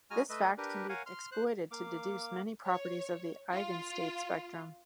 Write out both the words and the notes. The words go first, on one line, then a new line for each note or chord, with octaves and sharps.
This fact can be exploited to deduce many properties of the eigenstate spectrum.
G#3 F#4 G#5 A#5 F6
A3 B4 D#5 E5
D4 G4 A#4 B4
A#4 C#5 F5 F#5 G#5
C6 F6
C5 F#6
A#3 F5 D6
C#5
F4